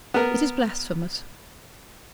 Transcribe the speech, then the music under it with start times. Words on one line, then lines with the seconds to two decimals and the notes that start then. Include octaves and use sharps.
It is blasphemous.
0.14 B3 A#4